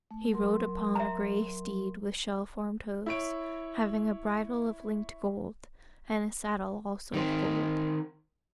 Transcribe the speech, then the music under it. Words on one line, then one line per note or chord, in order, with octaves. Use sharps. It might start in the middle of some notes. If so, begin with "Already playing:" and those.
He rode upon a grey steed with shell-formed hoofs, having a bridle of linked gold, and a saddle also of gold.
A3
F#3 A#4 C6
E5 A#5
E4 C#5 D7
D#3 C4